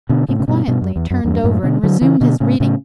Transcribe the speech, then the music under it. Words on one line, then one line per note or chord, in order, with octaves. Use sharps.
He quietly turned over, and resumed his reading.
B2 D3
A2 C#3
C#3
G2 B2
G2 B2
F#2
E2
F#2
E2 G2
F#2 A2
B2 D3
D3 F#3
C#3 E3
B2 D3
A2 C#3
A2 C#3